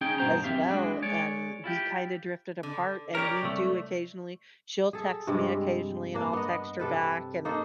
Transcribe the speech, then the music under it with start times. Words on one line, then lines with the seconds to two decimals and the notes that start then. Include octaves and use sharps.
as well, and we kinda drifted apart, and we do occasionally she'll text me occasionally and I'll text her back and
0.01 C#4 D#4 G#4 G5
0.18 G2 B2 C5 A#5
0.44 F#2 C4 G4 E5 F5
0.70 G#3 D4 F#4
1.02 G#3 C#5 D5
1.64 E4 F4 G4
2.63 D3
3.15 G4 A#4 C#5 D5
3.43 C2 A3
4.93 G#4 A4
5.27 G2 C3 G3 G#3
6.15 A#3 D4
6.33 B3 D#5
6.80 C3 A4 B4
7.45 A#3 D#4 A4 C5